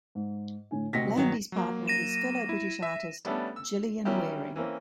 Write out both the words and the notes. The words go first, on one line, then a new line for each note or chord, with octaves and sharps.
Landy's partner is fellow British artist Gillian Wearing.
G#2
A2 D3 G#5
D2 C3 F#4 D#5 A#6 B6
G2 D#3 F#3
F#3 A#3
A#6 D#7 E7
E4
E5
G3 A3 B3 C#4 D4 A4
E6
D#3 F#3 G3 C#4 E4 G4
E3 A#3 C4 C#4